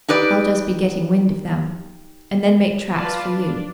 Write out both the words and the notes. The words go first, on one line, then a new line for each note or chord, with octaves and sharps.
I'll just be getting wind of them, and then make tracks for you.
D#4 G4 B4 D5
F4 B4 D5 F5 A5
D4